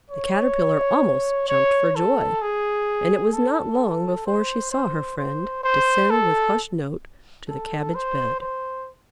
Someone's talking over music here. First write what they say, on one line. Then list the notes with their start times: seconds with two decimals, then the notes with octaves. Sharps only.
The Caterpillar almost jumped for joy, and it was not long before she saw her friend descend with hushed note to the cabbage bed.
0.10 C#5
1.48 C#5
1.96 A4
2.41 G#4
3.33 A4
4.26 C5
4.71 C5
5.18 C5
5.63 C5
6.10 A4
7.49 A4
7.95 C5
8.40 C5